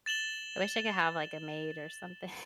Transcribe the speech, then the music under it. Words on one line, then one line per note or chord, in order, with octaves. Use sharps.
I wish I could have, like, a maid or something.
A6 E7 F#7 G7